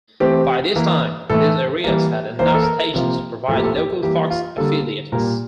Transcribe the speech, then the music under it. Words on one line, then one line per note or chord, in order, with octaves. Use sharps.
By this time, these areas had enough stations to provide local Fox affiliates.
E3 A3 C4 G4
E3 A#3
A2 E3 A3 A4
E3 G3 A#3
E3 A#3 C5
A#4
A4
A#4
C3 F3 A#3
A2 F3 A#3 A4
G4
A4
G4
E3 G3 A#3 G4
F4
D3 G3 A#3 A4
A#2 G3 A#3 A#4